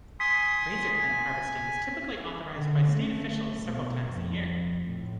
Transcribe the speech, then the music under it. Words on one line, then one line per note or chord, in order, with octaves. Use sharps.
Razor Clam harvesting is typically authorized by state officials several times a year.
G#5 C6 D#6 B6
G#5
D3
A3
B2
F2
A2